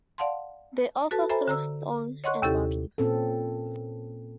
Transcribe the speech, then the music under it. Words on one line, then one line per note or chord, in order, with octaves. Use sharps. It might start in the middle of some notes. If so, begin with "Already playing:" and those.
They also threw stones and bottles.
D5 F5 F#5 A5 C6
F#4 A4 B4 A5
A4 C5 E5 G#5 A#5 B5
D3 A#5 E6
C#5 D#5 F#5 C6 C#6 F#6
D#2 C3 C#4 E4 G4 A4
A#2 C4 C#4 A4